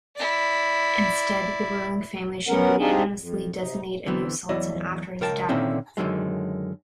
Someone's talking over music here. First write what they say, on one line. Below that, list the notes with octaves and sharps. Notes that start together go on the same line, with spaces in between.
Instead, the ruling family should unanimously designate a new Sultan after his death.
E4 D5
F#3 B3 C#4 A#4 F#5
C4 D4 D#4 F4 G4 G#4
F2
C3 D#4
D3 E3 B3 C4
E2 F#3 E4 D5 D#5
C#2 A#4 G5 A5
A#2 D3 D#3 C4 C#4 E4
F#2 D3 D#3 F#3 G#3